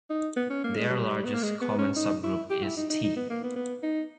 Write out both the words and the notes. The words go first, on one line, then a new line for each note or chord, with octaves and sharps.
Their largest common subgroup is "T".
D#4
B3
C#4
A#3
G#3
G3
B3
A#3
G#3
B3
C#4
D#4
E4
G4
E4
D#4
D#4
D#4
B3
A#3
B3
B3
D#4